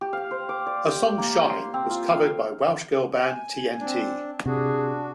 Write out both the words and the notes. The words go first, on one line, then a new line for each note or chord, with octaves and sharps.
Her song 'Shine' was covered by Welsh girl band TnT.
G4
F5
C5
D6
D5
G4
A#3
C6
C4
F4
F5
G#5
C4 D4
C3 D4 F#4 G#4